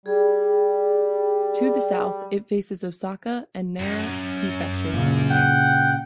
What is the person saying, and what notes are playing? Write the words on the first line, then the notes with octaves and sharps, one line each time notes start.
To the south, it faces Osaka and Nara Prefectures.
G3 G#4
F#2
A#2 C#3
F#5 G5